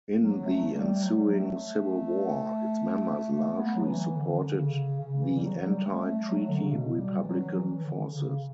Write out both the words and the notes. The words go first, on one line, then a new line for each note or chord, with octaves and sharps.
In the ensuing Civil War, its members largely supported the anti-Treaty Republican forces.
F#3
A3
A3
G3
F#3
A3
A3
B3
F#3
E3
D3
C#3
C#3
E3
G3
F#3
G3
A3
A3
F#3
D3
C#3
B2
F#3
G3
E3
F#3
E3
E3
D3
C#3